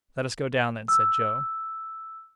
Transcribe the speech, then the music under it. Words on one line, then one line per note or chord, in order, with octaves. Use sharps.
"Let us go down, then!" said Joe.
E6